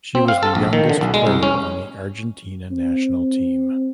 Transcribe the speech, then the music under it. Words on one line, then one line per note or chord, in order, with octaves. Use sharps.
She was the youngest player on the Argentina national team.
C4
F5
A4
A#1
D#3
D3
B1
G#3
C2
C#4
C4